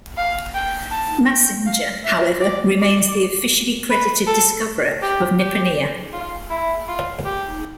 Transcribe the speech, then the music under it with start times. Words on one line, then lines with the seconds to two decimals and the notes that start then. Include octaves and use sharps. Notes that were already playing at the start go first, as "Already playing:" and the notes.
Massinger, however, remains the officially credited discoverer of "Nipponia".
0.17 F5
0.54 G5
0.91 A5
1.29 G5
1.66 F5
2.04 E5
2.41 D5
2.79 D5
3.90 B4
4.27 A4
5.02 G4
5.39 G4
6.13 F4
6.50 E4
6.88 F4
7.25 G4